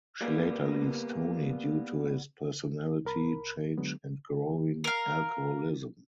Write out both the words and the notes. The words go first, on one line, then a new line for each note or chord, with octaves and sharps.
She later leaves Tony due to his personality change and growing alcoholism.
G3 A#3 B3
C2 A#4 B5
D3 F#3 G#3 B3
A#4 F5